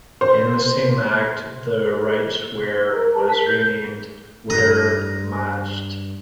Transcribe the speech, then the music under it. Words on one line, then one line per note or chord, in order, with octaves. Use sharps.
In the same act, the "Reichswehr" was renamed "Wehrmacht".
C5
A#4
A5
A#4 B6
G6
G2 A#5 D#6